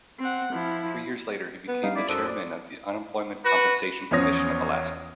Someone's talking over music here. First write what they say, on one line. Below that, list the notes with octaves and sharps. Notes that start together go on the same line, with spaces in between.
Three years later he became the chairman of the Unemployment Compensation Commission of Alaska.
C4 F#5
F3 E4
B3
G3 C#4 D#4 F5
E4 D5
F#2 A4 C5 D#6 F#6
D5
F#4 B4
E2 F3 C#4 C#5 D#6 A#6